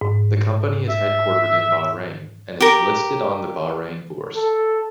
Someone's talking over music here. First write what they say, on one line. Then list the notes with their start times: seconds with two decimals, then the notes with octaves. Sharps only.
The company is headquartered in Bahrain and is listed on the Bahrain Bourse.
0.01 G#2
0.89 E5
2.60 G4 A#4
4.35 A4